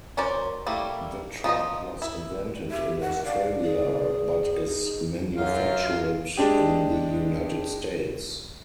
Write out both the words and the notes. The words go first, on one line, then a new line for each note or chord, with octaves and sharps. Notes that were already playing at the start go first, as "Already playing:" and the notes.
The trap was invented in Australia, but is manufactured in the United States.
F#3 C#4 A#4 C5 D5
G3 A3 A#3 E4
F3 D#4 G#4 D#5
E4
G4 E5
F#5
D5 F5
G#4
D#4
F#2 F4
G#3 D4 G4